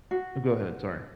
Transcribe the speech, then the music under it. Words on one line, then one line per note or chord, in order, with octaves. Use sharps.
You go ahead, sorry.
F#4